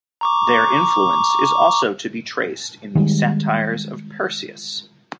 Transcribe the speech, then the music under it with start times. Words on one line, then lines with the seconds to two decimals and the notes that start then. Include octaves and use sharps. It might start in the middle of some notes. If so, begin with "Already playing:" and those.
Their influence is also to be traced in the satires of Persius.
0.21 A#5 C#6 D6
2.95 D#3 G3 G#3